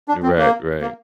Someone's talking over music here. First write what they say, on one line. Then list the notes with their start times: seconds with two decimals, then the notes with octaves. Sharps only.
Right, right.
0.08 D4
0.23 C4
0.38 A#3
0.81 A#3